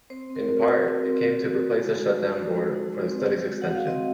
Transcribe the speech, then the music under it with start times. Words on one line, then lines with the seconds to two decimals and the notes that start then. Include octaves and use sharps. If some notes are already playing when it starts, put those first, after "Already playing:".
In part, it came to replace the shut down Board for the Studies Extension.
0.10 C4 C5
0.30 C4
0.35 A#4
0.48 F#4
0.67 F#4
0.86 C4
1.04 C4
1.23 F#4
1.42 F#4
1.61 F#4
1.80 G#3
1.98 D#4
2.18 G#3
2.36 F#4 C5
2.56 G#3
2.74 D#4
2.92 G#3
3.12 C4
3.30 C4
3.50 F#4
3.62 F#5
3.69 F#4
3.75 F5
3.87 C4 D#5